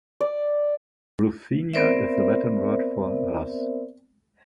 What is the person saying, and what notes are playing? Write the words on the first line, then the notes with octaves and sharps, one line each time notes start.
Ruthenia is the Latin word for Rus'.
D5
B3 C4 A#4 C5 D5 E5